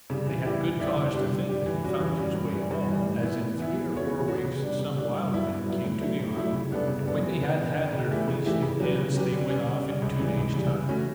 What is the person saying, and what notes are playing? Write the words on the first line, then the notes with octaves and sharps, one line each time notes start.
They had good cause to think that he found his way home, as in three or four weeks some wild men came to the isle, and when they had had their feast and dance, they went off in two days' time.
C#3 G3
E3
G3 B3 E4 G4
E3
G3 B3 E4 G4
D3
G3 D4 G4
D3
G3 D4 G4
E3
G3 C#4 F#4
E3
G3 C#4 F#4
G2
E3 G3
G2
E3 G3
A2
E3 B3 E4
A2
E3 B3 E4
E3
B3 F#4 A4 C#5
E3
B3 F#4 A4 C#5
C#3
G3 D4
C#3
G3 D4
G2
F#3 B3 E4
G2
F#3 B3 E4
A2
F#3 A3 E4
A2
F#3 A3 E4
C#3
G3 B3 D4 A4
C#3
G3 B3 D4 A4
E3
B3 D4
E3
B3 D4
C#3
E3 A3 E4 G4
C#3
E3 A3 E4 G4
C#3
F#3 C#4 G4 B4
C#3
F#3 C#4 G4 B4
D3
G3 C#4
D3
G3 C#4
C#2
C#3 E3 G3
C#2
C#3 E3 G3
E3
A3 C#4 F#4 A4